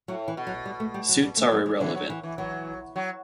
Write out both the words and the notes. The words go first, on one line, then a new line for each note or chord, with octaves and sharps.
Suits are irrelevant.
A2 F#3
E3
B2
F#3
G3
A3
G3
F#3
G3
A3
F#3
E3
D3 E3
F#3
E3
E3
E3 F#3
F#3